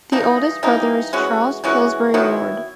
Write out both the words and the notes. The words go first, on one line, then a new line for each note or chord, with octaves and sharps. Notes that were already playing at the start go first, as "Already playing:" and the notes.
The oldest brother is Charles Pillsbury Lord.
E3 G3 A#3 D#4
E3 G3 A#3 D#4
E3 G#3 C#4 F#4
E3 G#3 C#4 F#4
D#3 F#3 B3 E4